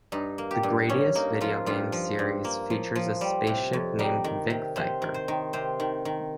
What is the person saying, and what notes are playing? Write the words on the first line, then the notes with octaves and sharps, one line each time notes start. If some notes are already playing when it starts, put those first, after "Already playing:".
The "Gradius" video game series features a spaceship named "Vic Viper".
G2 D#4
A#3
G4
G2
G2 C#4
A#3 D#4
F3 F4
G2 F4
F3
G2
A#3
F3
F3
G3
C3
F2
G3 D#4
D#3
C3
C3 C5
D#3
C5
D#3
C3 C5
D#3
D#3